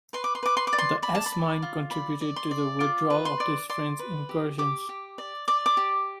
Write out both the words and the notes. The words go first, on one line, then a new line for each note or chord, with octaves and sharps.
The S-mine contributed to the withdrawal of these French incursions.
B4 C6
D6
C6
B4 D6
C6
D6
D5
C6
D5 B5
A5
B5
D5
F4
D5 B5
D5
C6
D5
F4 D6
B4
C6
D5
D5 C6
B4
G4
G4 D6
G4
D5
D5 D6
D6
G4